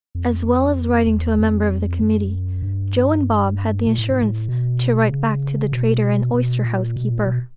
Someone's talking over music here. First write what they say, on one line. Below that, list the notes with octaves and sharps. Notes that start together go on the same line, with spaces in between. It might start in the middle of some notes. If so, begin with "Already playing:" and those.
As well as writing to a member of the Committee, Joe and Bob had the assurance to write back to the trader and oyster-house keeper.
F2
E2
F2
F#2
G2
A#2
A2
G#2
A2
B2
C#3
B2
B2
A#2
B2
A#2
B2